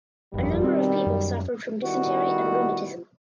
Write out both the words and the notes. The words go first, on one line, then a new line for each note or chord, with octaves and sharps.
A number of people suffered from dysentery and rheumatism.
G1 F2 B2 D#3 G3
C4
F#2
D#3 G3 B3 E4 F#4